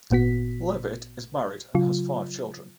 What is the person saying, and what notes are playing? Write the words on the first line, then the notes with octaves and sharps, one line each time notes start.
Leavitt is married and has five children.
G#1 A#2 B3 F#4 B6
C#3 F#3 F4